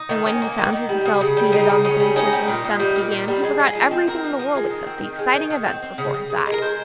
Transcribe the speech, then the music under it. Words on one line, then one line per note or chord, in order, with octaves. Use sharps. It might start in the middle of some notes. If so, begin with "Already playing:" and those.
And when he found himself seated on the bleachers and the stunts began, he forgot everything in the world except the exciting events before his eyes.
Already playing: D#4
D#3
C#4
A#3
D#3
D#3
G3
C#3
C#3
G3
C#3 D#4
C#3
C#3 C#4
G3
C#4 D#4
G3
A#2
A#2
G3
A#2
A#2
G3
G#3
G#3
F3
C4
C4 A#4
F3
F3
G#3
D#3
C4
D#3
G#3
D#3
D#3
C4
C4
C#3
C#3
C#3
G#3
A#4
G#3 C5